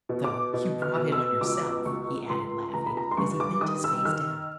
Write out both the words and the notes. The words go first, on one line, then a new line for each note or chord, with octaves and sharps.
"Though you brought it on yourself," he added, laughing, as he bent his face down.
B2
D6
B2
F6
B2
E6
C#2 D6
C#2 C#6
C#2 C6
C#2 A#5
B5
A#5
C6
G2 C#6
D6
D#3 D#6
E6
D#3 F6